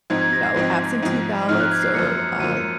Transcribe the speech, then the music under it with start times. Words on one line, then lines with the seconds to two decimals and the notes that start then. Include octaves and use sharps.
you know, absentee ballots or, uh,
0.10 G#2 F3 C4 D#4 G#6
0.21 G#6
0.33 A#6
0.44 C7
0.56 G#2 F3 C4 D#4
1.02 G#2 F3 C4 D#4
1.48 G#2 F3 C4 D#4 F6
1.60 F#6
1.72 G#6
1.83 C7
1.94 F#2 F3 A#3 C#7
2.17 C#7
2.40 F#2 F3 A#3 D#7
2.56 C#7